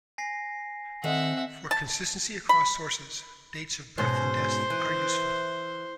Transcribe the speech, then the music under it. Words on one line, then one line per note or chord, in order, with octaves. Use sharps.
For consistency across sources, dates of birth and death are useful.
G#5 A#6 C7
D#3 C4 A4 D#5 E5 F#5
A5
B5
G#2 B2 C#4 C5
E3